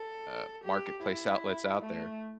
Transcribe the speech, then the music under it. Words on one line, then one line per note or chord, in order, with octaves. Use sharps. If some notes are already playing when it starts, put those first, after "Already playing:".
uh, marketplace outlets out there
Already playing: A4
G4
E4
A3